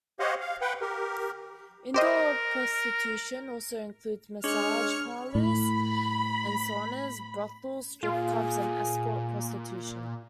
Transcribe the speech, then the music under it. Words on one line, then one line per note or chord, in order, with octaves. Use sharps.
"Indoor prostitution" also includes: massage parlors and saunas, brothels, strip clubs, and escort prostitution.
G4 C5 C#5 D#5 F5 F#5
F5
B4 F#5 G5
G4 A#4
G4 A#4 C5 D#5
G#3 D4 C#5 F6 C#7
A2 B5
A#2 F4 G#4